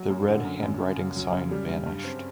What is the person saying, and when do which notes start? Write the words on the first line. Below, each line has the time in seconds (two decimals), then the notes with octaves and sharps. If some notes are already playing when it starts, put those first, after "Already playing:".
The red handwriting sign vanished.
Already playing: F#3
0.10 F#2
0.27 D3
0.45 F#2
0.62 F#2
0.80 C#3
0.98 C#3
1.16 F#3
1.33 C#3
1.51 G3
1.69 G2
1.86 G2
2.04 C4